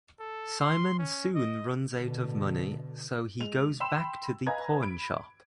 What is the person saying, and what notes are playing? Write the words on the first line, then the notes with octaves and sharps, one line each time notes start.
Simon soon runs out of money so he goes back to the pawn shop.
A4
C6
C#4
D#5
B2 D3
G#3 F7
G5 B5 C6 E6 E7
B4 D#5 F5 G#5 A#5 G#6
B5 D7